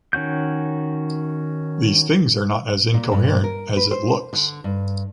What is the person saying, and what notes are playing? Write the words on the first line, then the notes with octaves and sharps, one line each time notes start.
These things are not as incoherent as it looks.
D#3 C#4 F#4 G6
A#2
G2
A#4
B4
C5
D3
G2